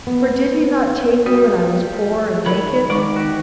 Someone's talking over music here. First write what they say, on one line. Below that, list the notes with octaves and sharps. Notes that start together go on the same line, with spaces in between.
For did he not take me when I was poor and naked?
B3
G3 F#4
D#3 A#4 C#5 D5 B5
D#3 G#3 D5 C#6 D6
F#4 G4